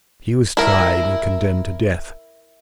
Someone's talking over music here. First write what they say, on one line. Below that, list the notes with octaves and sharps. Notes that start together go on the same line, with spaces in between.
He was tried and condemned to death.
E4 A#4